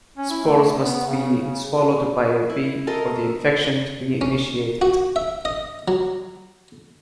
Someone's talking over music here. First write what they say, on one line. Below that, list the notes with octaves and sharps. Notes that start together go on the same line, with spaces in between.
Spores must be swallowed by a bee for the infection to be initiated.
C#4
E4
A3
B3
C#3
C#3
E4
A4 A#4 D#5 C6
C#4
F#4
E5
D#5
F#3